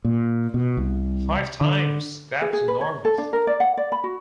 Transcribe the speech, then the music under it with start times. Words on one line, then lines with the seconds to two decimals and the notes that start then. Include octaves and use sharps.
Five times? That’s enormous!
0.05 A#2
0.54 B2
0.77 C2
1.61 D3
2.42 G#4
2.53 G#4
2.68 B4
2.81 C#5
3.05 A4
3.18 D4
3.33 A#4
3.47 D5
3.60 F#5
3.77 D5
3.92 B5
4.04 F#4